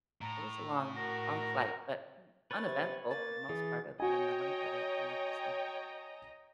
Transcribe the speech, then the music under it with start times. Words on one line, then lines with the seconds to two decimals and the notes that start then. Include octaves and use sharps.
it was a long, long flight, but m uneventful, for the most part, other than the length of it, you know? So,
0.21 A2 A#5
0.96 F#4 A#4 A#6
2.51 B4 C#5 A6
2.67 C3
3.10 A#3 A6
3.49 E3 G#4
4.00 F#4 C#5 D#5 G5 G#5 A#5